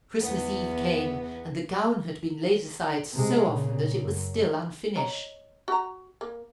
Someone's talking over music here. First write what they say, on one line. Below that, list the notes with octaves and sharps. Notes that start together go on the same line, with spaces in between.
Christmas eve came, and the gown had been laid aside so often that it was still unfinished.
E2 B3
C3 G#3
A#2 C#3
F#2
C#5 D#5 A#5
F#4 A#5
A#3